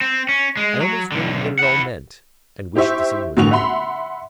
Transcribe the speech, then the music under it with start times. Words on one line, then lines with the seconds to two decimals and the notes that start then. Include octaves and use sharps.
I almost wondered what it all meant, and wished the scene was over.
0.01 C4
0.29 C#4
0.57 G#3
0.81 F#3
1.12 B1 D3
1.59 E4 F#5
2.75 E4 G4 C5 E5 C#6
3.37 A1 A2 D3 C#6 F7
3.51 E5 F#5 B5 C6